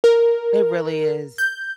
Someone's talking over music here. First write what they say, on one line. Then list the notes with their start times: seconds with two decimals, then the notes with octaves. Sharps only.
It really is.
0.04 A#4
1.38 G6